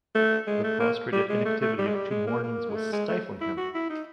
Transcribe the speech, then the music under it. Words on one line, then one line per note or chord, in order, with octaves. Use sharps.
The prostrated inactivity of two mornings was stifling him.
A3
G#3
A3
A#3
G3
G#3
A3
A3
G3
G#3
G3
G#3
A#3
A#3
G#3
A3
G#3
A3
E4
F#4
E4
D#4